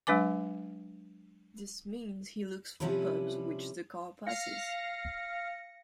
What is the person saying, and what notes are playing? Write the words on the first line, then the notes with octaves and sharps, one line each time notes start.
This means he looks for pubs which the car passes.
F#3 G#3 D4 B4 G#5 D6
C3 F3 G3 C#4 E4 B4
F5 A#6 C#7